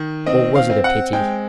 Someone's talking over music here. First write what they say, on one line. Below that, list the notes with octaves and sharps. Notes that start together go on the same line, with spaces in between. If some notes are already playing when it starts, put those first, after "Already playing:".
Or was it a pity?
Already playing: D#3
C4 D#5
F5
C4
F#5
G#3 G5